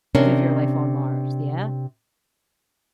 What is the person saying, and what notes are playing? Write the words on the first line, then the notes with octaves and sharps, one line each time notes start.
live your life on Mars. Yeah?
C3 C#4 D4 A#4